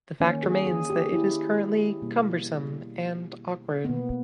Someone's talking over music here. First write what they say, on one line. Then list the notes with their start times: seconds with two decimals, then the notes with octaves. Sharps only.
The fact remains that it is currently cumbersome and awkward.
0.20 D#3 A#3 C#4
0.43 G#4
0.67 G#4
0.90 G4
1.12 E4
2.02 B2 G3 A#3
3.85 B2 A#3 B3